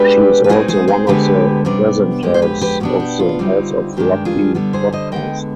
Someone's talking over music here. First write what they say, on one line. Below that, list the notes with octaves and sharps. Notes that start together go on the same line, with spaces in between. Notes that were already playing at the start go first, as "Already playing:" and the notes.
She is also one of the presenters of the "House of Rugby" podcast.
Already playing: B2 G#3 D4 G4 B4
B4
B2 G#3 C4 D#4 F4 G#4
G#4 C5
G#4 C5
D2 D3 G#3 B3 D4 G4 B4
C3 G3 B3 D4
F2 D3 G#3 G4
C5
G4 B4
G4 B4
B2 B3 D4 G4
G4
F4
D3 G3 C4 D#4
G2 D#3 G#3 D4 G4
F4 G#4
D3 G3 B3
G#4 C5
C5 D#5
D3 G#3 B3 D#5 G5